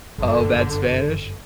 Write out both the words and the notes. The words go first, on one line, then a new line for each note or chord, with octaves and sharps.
Oh, bad Spanish?
G1 F#2 D3